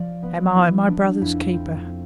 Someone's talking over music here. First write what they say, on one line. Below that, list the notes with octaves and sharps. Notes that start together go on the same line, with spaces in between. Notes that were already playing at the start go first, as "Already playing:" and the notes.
"Am I my brother's keeper?"
Already playing: F3 D5
B3 B4
B3 E4
B3 D4
F2 E4
C4
C4